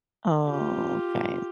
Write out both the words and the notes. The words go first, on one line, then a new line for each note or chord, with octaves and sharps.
Oh, okay.
F4 G4